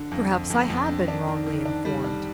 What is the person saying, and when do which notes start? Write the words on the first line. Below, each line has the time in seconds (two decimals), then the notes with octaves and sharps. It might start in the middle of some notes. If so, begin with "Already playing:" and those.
'Perhaps I have been wrongly informed.
Already playing: D3
0.11 F2
0.31 F2
0.50 F2
0.70 F2
0.89 D3
1.08 D4
1.27 D#3
1.46 D#3
1.65 D4
1.85 G3
2.04 D4